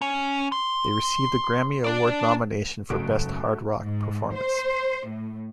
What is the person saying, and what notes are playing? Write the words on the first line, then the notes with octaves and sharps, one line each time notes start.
They received a Grammy Award nomination for Best Hard Rock Performance.
C#4
C6
D4 D5
F#1 G#2 C#3 A3 F#4 D7
G#2
C5
A2